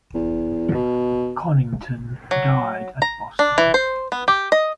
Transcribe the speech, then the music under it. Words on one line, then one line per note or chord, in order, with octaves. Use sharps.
Conington died at Boston.
E2
B2
F#3
A#5
D4
E3
C5
B3
G4
D#5